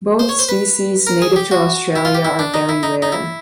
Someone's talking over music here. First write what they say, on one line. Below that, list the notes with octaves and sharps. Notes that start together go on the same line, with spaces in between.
Both species, native to Australia, are very rare.
C5
C#5
C5
B4
A#4
G#4
G4
F#4
E4
F4
G4
E4
D4
D#4
E4
D#4
D#4
E4